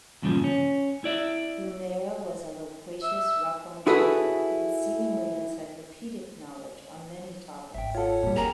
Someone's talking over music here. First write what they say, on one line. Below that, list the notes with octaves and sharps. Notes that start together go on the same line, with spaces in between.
Gummere was a loquacious raconteur with seemingly encyclopedic knowledge on many topics.
E2 G2 A#2 C#3 F3
C#4
E4 D5 E5
E5
E4 F#4 G#4 A4 B4
G#1 E5 G5
F4 A4 C#5 F#5
A#2 G3 C4
E2 G3 G4 G#4 A#4 A#5